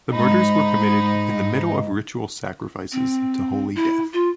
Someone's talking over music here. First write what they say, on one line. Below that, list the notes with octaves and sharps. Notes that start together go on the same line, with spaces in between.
The murders were committed in the middle of ritual sacrifices to Holy Death.
G#2 D#4 B5
C4
E4
F4